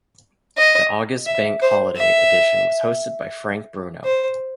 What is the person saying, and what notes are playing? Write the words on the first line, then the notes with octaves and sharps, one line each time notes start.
The August Bank Holiday edition was hosted by Frank Bruno.
D#5
E5
C5
E5
C5